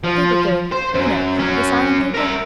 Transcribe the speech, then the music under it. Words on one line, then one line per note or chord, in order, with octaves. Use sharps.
They were good, you know--the asylum people.
F3
C5
F#2
F#3 C#4
A#4 E5